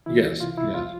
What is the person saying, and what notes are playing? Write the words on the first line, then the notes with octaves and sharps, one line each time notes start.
yes, yes,
E3 E4
C2
C3 F4
C2 E4
F3 F4